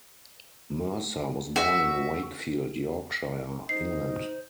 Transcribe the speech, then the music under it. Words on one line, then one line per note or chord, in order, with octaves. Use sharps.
Mercer was born in Wakefield, Yorkshire, England.
F#4 E5
D#4 C5 D#5 C7